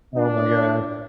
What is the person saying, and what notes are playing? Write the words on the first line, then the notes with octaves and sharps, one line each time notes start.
Oh my god.
D4